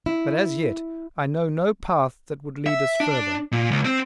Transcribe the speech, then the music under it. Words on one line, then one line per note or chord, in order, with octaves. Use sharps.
But as yet I know no path that would lead us further.
E4
E5
D4
A#2
C#2
C4 C5